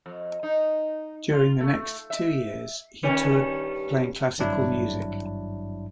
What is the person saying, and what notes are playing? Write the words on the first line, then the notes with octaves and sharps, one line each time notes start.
During the next two years, he toured playing classical music.
F2
D#4
F4
A3
E5
G2 D#3 C#4
G#1 G2 F#3 D4 E4